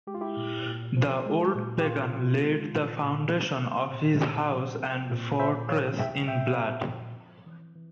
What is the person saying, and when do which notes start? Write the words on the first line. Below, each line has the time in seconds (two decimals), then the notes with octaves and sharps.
The old pagan laid the foundation of his house and fortress in blood.
0.07 G#3 G4
0.14 F4
0.21 E4 G4
0.37 A#2
0.66 A#2
0.97 F3
1.25 G#3
1.55 A#2
1.80 G4
1.85 A#2 F4
2.14 F3
2.44 G#3
2.73 A#2
3.03 A#2
3.32 F3
3.62 C4
3.92 A#2
4.21 A#2
4.51 F3
4.80 C4
5.10 A#2
5.39 A#2 C5 E5
5.69 F3 C#5 F5
5.98 C4 E5 G5
6.28 A#2 E5 G5
6.57 A#2
6.87 F3
7.16 C4
7.46 E3
7.76 E3